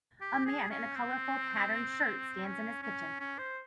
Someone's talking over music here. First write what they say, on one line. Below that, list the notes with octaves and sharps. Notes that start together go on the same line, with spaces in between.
A man in a colorful, patterned shirt stands in his kitchen.
G4
G#4
C#4
C4
C#4
C#4
C#4
C5